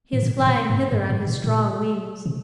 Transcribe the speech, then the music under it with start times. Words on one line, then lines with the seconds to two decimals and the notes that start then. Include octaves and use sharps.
"He is flying hither on his strong wings."
0.13 A2
0.23 A#2
0.40 A2
0.46 A#2
0.70 G#2
0.92 G2
1.10 G#2
1.27 A#2
1.44 A#2
2.26 C3